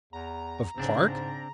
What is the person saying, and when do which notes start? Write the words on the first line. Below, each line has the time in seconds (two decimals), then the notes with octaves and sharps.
"Of park?"
0.13 E2 A#5
0.78 G#2 C#3 C4 D4